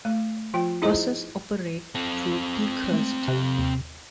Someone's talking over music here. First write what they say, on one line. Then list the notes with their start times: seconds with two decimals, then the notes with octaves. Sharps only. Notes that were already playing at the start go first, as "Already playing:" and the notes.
Buses operate through Peakhurst.
0.05 A3
0.54 F3 F4 G5
0.82 D#4 E4 G#4 C5 D#5
1.95 C4 A4
2.92 G#3 A3
3.28 C3 F#6
3.58 D#2